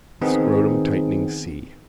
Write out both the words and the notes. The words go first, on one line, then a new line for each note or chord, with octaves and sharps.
The scrotumtightening sea.
D#3 B3 C4 D#4 G#4